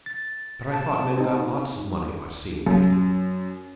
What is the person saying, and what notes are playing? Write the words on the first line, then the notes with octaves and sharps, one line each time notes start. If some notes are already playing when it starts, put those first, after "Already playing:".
"But I thought men got lots of money by scene-painting?"
A6
A5
C4 D#4
F#2